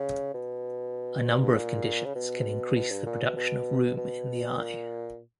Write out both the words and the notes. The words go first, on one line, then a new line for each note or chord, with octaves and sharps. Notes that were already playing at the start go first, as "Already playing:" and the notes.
A number of conditions can increase the production of rheum in the eye.
Already playing: C#3
B2
G2
A#2
C#3
B2
B2
G2
A#2
B2
B2
B2
A#2